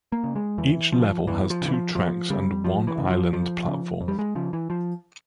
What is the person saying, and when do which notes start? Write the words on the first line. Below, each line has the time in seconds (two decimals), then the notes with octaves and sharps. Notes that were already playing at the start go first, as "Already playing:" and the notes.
Each level has two tracks and one island platform.
0.12 A#3
0.24 C#3
0.35 G#3
0.58 E2 E3
0.92 C#3 F3
1.27 E2 E3
1.50 F3
1.62 C#3
1.68 E3
1.73 F3
1.95 F2 F3
2.30 C#3 G3
2.64 F2 F3
2.87 E3
2.98 C#3
3.10 F3
3.33 F2 F3
3.67 C#3
4.01 F2
4.08 G3
4.19 G#3
4.35 C#3 F3
4.53 E3
4.70 F3